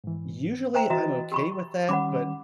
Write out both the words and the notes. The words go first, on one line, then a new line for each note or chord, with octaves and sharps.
Usually I'm okay with that but,
G#2 E3
C5 E5 G5 A#5
E3 F#4 D#5 E5 A#5 A6
G4 B5 C#6
D#3 G3 C#4 F#5 B5 D6